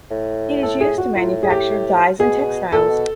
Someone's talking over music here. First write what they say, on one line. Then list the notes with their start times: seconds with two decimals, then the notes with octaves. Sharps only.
It is used to manufacture dyes and textiles.
0.11 A2
0.63 A4
0.81 G#4
0.98 F#4
1.15 A2 F4
1.43 G#4
1.50 G4
2.20 B2 G#4
2.72 A#2 A4
2.90 B2